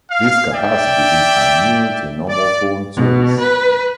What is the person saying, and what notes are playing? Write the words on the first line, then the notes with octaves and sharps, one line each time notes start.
This capacity is unused in normal phone service.
F5
D5 E5 G5
D5
B2
B4